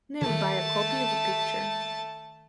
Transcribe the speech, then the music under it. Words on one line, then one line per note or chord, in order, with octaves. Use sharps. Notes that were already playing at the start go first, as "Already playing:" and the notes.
Never buy a copy of a picture.
D#3 A3 A5